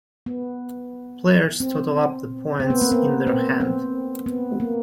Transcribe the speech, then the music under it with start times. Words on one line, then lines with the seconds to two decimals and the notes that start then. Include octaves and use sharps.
Players total up the points in their hand.
0.26 B3
1.60 C4
2.60 C4
2.70 B3
2.81 A#3
2.92 B3
3.27 C4
3.60 C4
4.26 B3
4.60 A#3